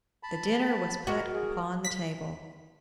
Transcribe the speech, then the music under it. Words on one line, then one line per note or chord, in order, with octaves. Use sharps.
The dinner was put upon the table.
A5 B5
F#4 A#4
G#4
B6